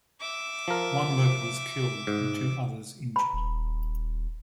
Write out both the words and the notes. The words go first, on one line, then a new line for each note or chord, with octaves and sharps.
One worker was killed and two others injured.
E5 D6
F3 A#4
G#2
A#5 B5
D#1